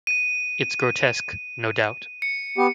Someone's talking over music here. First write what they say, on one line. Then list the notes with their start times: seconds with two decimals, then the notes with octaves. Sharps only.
It's grotesque, no doubt.
0.07 D#7
2.22 C#7
2.58 B3 G4